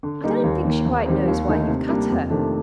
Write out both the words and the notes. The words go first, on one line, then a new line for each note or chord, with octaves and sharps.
"I don't think she quite knows why you've cut her."
D3
G3 A#3 D#4
D#2
D#3 A#3
D#2
D#3 G3 C4
D#2
D3 A3 D#4 A4
C3
G3 A#3 D4
F2
C3 D#3 A3 D4